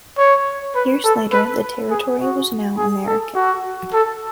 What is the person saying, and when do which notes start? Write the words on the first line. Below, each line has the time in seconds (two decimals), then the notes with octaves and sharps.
Years later, the territory was now American.
0.18 C#5
0.75 B4
1.04 A4
1.33 B4
1.91 G#4
2.20 F#4
2.77 G#4
3.07 A4
3.35 F#4
3.93 A4